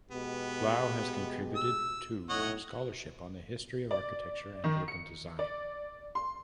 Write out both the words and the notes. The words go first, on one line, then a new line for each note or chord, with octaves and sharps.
Blau has contributed to scholarship on the history of architecture and urban design.
B2 G#3 B3 G4
E6
B1 A2 C#5 D#5 F#5
D5
D#3
C#7
D5
C6